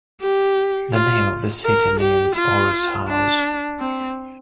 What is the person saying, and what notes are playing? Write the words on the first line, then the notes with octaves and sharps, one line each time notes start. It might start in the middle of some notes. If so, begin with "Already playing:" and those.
The name of the city means "Oros' house".
G4
F4
A#4
G4
F4
D4
C4